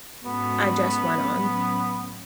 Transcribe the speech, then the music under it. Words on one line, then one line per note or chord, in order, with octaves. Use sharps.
I just went on.
G#2 G#3 B3 C#4 F#4 A4
A2 F#3 C#4